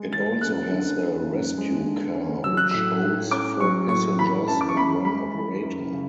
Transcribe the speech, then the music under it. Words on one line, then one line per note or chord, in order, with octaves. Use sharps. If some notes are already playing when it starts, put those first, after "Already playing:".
It also has a rescue car which holds four passengers and one operator.
Already playing: G#3
E3 A6
F#2 F#6
D3
C#4
F#2
G#3
D3
C#4
F#3 E6
F#6
A2 E6
A2
C#4 D6
F#3 C#6
A2 C#6
E3 B5
F#2 A5
D6
C#6
F#2 B5
G#3 B5
E3
F#2
C#3